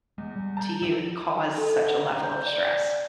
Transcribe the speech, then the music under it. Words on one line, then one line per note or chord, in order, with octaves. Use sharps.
to you to cause such a level of stress.
E2 G#3
G3
A5 A#5 G6
F3 G3 E4 G4
A4
F#5
A#5
G6
D5